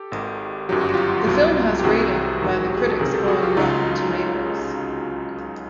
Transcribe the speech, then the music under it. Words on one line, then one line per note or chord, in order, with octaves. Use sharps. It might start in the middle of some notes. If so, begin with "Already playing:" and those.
The film has rating by the critics on Rotten Tomatoes.
Already playing: G4 A4
G#1 G#2 D#3
G1 F#2 D#3 F#3 G4
F#4
F4 G4
C2 B2 F#3
G4
C2 C3 D#3 F#3 F#4 G#4
A1 G#2 D#3 F#3
G4
G#4
A4
C#2 C3 D#3 F#3 G#4 A#4
G4 A4
F#4 G#4
F4 G4
C#2 C#3 F#3 D#4 F4